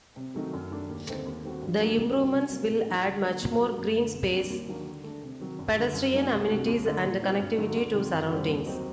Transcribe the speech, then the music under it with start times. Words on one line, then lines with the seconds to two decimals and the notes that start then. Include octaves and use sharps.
The improvements will add much more green space, pedestrian amenities and connectivity to surroundings.
0.16 C3
0.35 D#3 F#3 A3 D#4
0.53 F#2
0.71 D#3 A3 D4
0.89 D#2
1.07 D3 A3 C4 D#4
1.25 D#2
1.43 D#3 A3 C4 F#4
1.61 G2
1.79 D#3 F#3 A#3 D4
1.97 C3
2.15 G3 D4 F#4
2.33 C3
2.52 F#3 A#3
2.69 A2
2.88 A3 D#4 F#4
3.06 D2
3.24 D3 F#3 A#3
3.41 A#2
3.60 F#3 A#3 F#4
3.78 F#2
3.96 D3 A3
4.14 C3
4.32 G3 A#3 D4 F#4
4.50 D#2
4.68 D#3 F#3 A#3 D4
4.86 D3
5.04 A3 D4
5.23 C3
5.40 D#3 F#3
5.59 F#2
5.76 D3 G3
5.94 F#2
6.13 F#3 A#3 D#4
6.31 C2
6.48 C3 G3 D4 F#4
6.67 D#2
6.85 D3 A3
7.03 A#2
7.21 G3 C4 D#4 F#4
7.39 G2
7.57 D3 F#3 A3 D#4
7.76 D2
7.94 C3 D#3 F#3
8.12 F#2
8.29 D3 G3 C4
8.48 D#2
8.65 D#3 F#3 C4 D#4